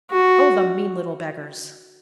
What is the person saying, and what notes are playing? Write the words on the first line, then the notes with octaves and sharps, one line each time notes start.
"Oh, the mean little beggars!"
F#4